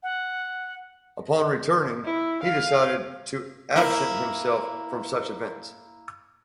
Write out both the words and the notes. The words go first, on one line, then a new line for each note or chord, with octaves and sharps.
Upon returning, he decided to absent himself from such events.
F#5
E4
F5
A#3 E4